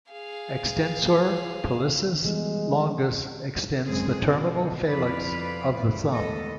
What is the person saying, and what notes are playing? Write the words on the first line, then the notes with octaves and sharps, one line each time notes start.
Extensor pollicis longus extends the terminal phalanx of the thumb.
G#4 F5
E3 G3 G#3 B3
F#2 G#3 C4 G#4
B2
F2 E4 B4 D5 F5
D#2 A2 G#3 B3 A4 D#5